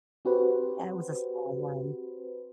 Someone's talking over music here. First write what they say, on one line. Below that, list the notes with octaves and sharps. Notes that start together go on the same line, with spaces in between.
Yeah, it was a small one.
C4 F#4 G4 B4 C5